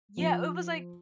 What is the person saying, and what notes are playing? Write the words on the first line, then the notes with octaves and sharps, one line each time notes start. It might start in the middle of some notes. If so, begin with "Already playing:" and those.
Yeah, it was like
F3